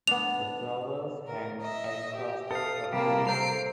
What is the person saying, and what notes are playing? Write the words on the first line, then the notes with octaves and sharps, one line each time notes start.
The flowers hang like clusters of grapes.
B3 D4 F7
A#4
D#5 E5
G4
A4 F5 D#6
C3 G3 A#3 G4 A5
A4 C5 A#5 C7 D7